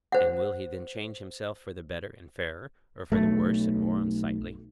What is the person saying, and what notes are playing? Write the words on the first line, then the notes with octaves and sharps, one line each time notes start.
And will he then change himself for the better and fairer, or for the worse and more unsightly?
C5 F#5
B1 A3